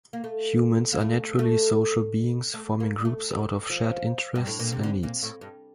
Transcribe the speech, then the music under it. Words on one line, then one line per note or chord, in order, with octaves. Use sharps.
Humans are naturally social beings, forming groups out of shared interests and needs.
A#3
A3
A#3
A3
A3
A3
A#3
G3
A3
G3
F3
G2
A2
A#2
C3
D3
A#2
A2
G2